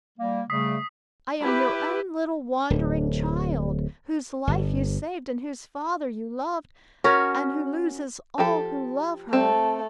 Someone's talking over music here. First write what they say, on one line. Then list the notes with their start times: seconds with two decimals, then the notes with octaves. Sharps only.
I am your own little wandering child, whose life you saved, and whose father you loved, and who loses all who love her.
0.18 G3 A#3
0.50 C#3 G3 A3 D#6 B6 C7
1.41 E4 G4 B4
2.70 D1
4.47 G1
7.04 C#4 F#4 A#4 C#5
8.38 F3 G4 A4
9.33 A3 C4 A4